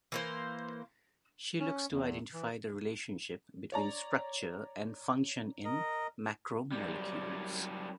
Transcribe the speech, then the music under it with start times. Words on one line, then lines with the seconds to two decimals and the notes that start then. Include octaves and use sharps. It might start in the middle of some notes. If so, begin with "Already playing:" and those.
She looks to identify the relationship between structure and function in macromolecules.
0.12 E3 A#3 C5
1.60 C#4
1.91 E2
2.34 E3
3.72 C#5 D5 A#5
5.64 A#4 D#5
6.72 F#2 G3